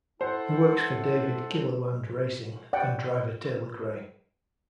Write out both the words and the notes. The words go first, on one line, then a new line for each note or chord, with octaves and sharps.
He works for David Gilliland Racing and driver Taylor Gray.
E4 A4 C5 F#5
D5 F#5 G5